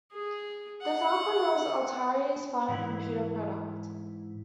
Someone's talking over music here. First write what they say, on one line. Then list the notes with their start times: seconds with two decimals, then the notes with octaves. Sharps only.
The Falcon was Atari's final computer product.
0.12 G#4
0.82 F#5
2.68 G#2 E3 E4